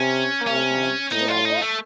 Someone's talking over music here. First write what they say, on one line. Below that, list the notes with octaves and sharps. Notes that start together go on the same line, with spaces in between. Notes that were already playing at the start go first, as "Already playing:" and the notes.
Oh, okay. Did you like it?
Already playing: C3 C#4
C3 C#4
A2 D#4
F4
D#4
A3